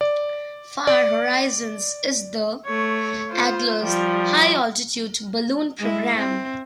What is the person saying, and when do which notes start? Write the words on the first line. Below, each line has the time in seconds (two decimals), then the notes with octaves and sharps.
Far Horizons is the Adler's high-altitude balloon program.
0.01 D5
0.87 D5
2.65 A3 C#5
3.29 F4 C5
3.83 F3 G3
5.78 G#3 E4
6.15 C4